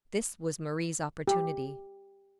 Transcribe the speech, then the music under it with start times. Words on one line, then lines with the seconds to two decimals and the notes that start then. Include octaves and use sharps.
This was Marie's opportunity.
1.28 G4